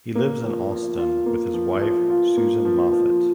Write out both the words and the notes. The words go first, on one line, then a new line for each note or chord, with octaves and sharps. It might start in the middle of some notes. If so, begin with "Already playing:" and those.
He lives in Austin with his wife Susan Moffat.
A#3
F3
F3
F4
A#3
F3
F3
F4
A#3
F3
F3